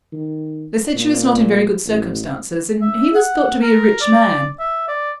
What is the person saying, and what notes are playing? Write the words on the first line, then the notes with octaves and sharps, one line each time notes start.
They said she was not in very good circumstances, and he was thought to be a rich man.
D#3
A#2
A1
E5
F#5
A#4
D5
E5
D5